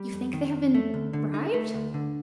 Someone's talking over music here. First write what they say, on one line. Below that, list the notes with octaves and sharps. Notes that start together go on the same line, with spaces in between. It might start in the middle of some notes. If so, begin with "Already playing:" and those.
"You think they have been, bribed?"
Already playing: G3
F2
D#3
F2
A3
D2
D3
D#4
A3
D2
D3